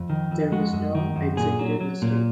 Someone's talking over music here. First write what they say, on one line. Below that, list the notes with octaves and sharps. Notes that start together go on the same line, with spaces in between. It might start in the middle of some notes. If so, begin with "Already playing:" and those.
There was no "Executive" estate.
Already playing: F2
D#3
F2
G#3 F#4
F#2
D#3
F#2
A#2 G#4
F#3
F#3
A#2